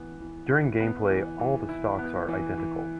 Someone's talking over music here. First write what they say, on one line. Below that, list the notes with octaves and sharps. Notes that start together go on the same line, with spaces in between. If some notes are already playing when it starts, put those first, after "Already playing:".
During gameplay all the stocks are identical.
Already playing: E3 B3
E3
E4
B3
E3
E3
E4
B3
E3
E3